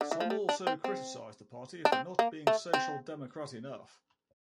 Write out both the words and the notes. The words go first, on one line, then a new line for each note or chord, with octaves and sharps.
Some also criticize the party for not being social democratic enough.
D3
E3
F3
G3
D4
C4
C4
D4
C4
A#3
A3
C4